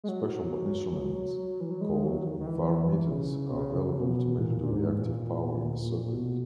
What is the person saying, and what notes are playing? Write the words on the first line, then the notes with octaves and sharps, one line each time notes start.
Special instruments called "varmeters" are available to measure the reactive power in a circuit.
G#3
F#3
E3
F#3
G#3
F#3
D#3
D#3
E3
E3
C#3
B2
C#3
B2
G#2
A#2
A#2
G#2
A#2
B2